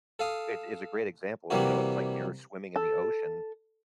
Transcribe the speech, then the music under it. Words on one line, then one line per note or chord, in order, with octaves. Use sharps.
It is a great example. You know, it's like if you're swimming in the ocean
A4 F5 D#6
C3 E3 G3 A#3 E4 F#4
A4